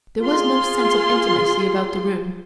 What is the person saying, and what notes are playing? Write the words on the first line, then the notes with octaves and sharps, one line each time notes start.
There was no sense of intimacy about the room.
F4 G#4 C6